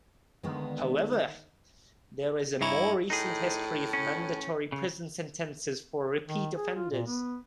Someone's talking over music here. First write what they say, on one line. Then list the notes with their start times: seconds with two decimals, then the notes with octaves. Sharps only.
However, there is a more recent history of mandatory prison sentences for repeat offenders.
0.43 D3 D#3 G#3 A#3 B3
2.61 G2 D#4 E4 C#5
3.10 A2 D#4 G#4
3.93 C#4
4.72 C#3
6.27 D#3
6.56 G#4
6.76 F4
6.91 A#2
7.07 B3